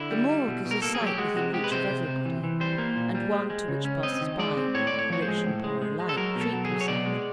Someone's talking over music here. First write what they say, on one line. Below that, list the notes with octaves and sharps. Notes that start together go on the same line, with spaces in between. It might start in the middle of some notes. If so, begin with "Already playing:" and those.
The morgue is a sight within reach of everybody, and one to which passers-by, rich and poor alike, treat themselves.
Already playing: D3 E4
G3
G3
B2
B2
A#4
A#3 A4
G#4
F#3
G4
G#3 F#4
C3 F#4
G#3 G4
B4
C3 C5
C3
C3
E3
E3
G3 C5
A#3
A#2
G3
G#3
G#3
C#3
C#4
C4 D#5
D#3
G#3 D5
C4
A2 C#5
D5
A2
C#5
F3 C#5
C5
G#3
A2
G#3
G#3
G#3
A4
F#3 A#4
B2
A4
F#3
G#4
F#3
C#5
B2 D5
G#3